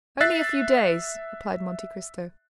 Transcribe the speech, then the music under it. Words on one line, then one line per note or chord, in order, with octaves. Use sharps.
"Only a few days," replied Monte Cristo.
E5 F#6 A6 C7